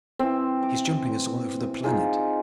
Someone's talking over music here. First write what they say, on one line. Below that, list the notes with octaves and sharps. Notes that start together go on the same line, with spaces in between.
He's jumping us all over the planet.
E3 C4
D6
D#4 F4 G#4